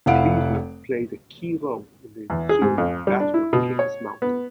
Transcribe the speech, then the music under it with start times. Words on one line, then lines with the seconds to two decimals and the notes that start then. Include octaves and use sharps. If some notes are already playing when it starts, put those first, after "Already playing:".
Cleveland played a key role in the ensuing Battle of Kings Mountain.
0.06 F1 E4 F5 F#5 D7
2.30 E2
2.49 G#4
2.62 G#2
2.78 F2
3.07 G3
3.20 D4
3.34 E4
3.53 B2
3.79 C#5
4.22 B3